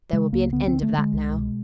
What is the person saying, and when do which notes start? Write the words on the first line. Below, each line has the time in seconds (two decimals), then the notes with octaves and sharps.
There will be an end of that now.
0.13 C#3 G#3
0.33 C#2 A#3
0.53 D3 B3
0.68 C4
0.73 D3
0.83 A3
0.93 D3
0.98 G#3
1.13 C2
1.33 B2